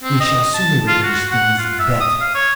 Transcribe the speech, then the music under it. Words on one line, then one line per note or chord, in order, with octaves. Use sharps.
We shall soon arrange things better.
C4
D#5
A5
F4
F#4
F#5
F4
E5
D#6
F5
C#5